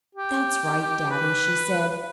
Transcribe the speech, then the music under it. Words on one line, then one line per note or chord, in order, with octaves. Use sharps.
"That's right, daddy," she said.
G4
B4